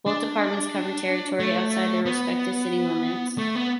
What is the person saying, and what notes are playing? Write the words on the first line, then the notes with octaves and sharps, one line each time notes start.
Both departments cover territory outside their respective city limits.
D4
A3
B3
A3
B3